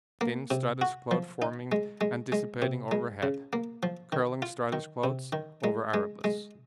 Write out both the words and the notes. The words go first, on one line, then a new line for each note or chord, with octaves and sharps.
Thin stratus cloud forming and dissipating overhead, curling stratus clouds over Erebus.
A#3
C3
F#4
F3
D#4
G#3
G#3
G#3
C3
G#3
C#3
A#3
F3
D#3
F4
D#3
C3
D#3
G#3
G#3
G#3